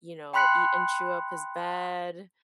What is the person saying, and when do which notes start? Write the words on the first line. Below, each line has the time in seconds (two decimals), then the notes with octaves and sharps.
you know, eat and chew up his bed,
0.34 G5 B5 C6 F#6 B6 C#7